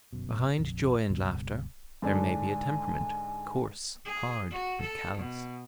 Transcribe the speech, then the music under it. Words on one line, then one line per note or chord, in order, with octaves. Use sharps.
Behind joy and laughter there may be a temperament, coarse, hard and callous.
G1 F#2 B2
A#1 F2
C#2 G2 B2 G3
G#2 D3 D4 G#5
G#4
F#4
A4
B2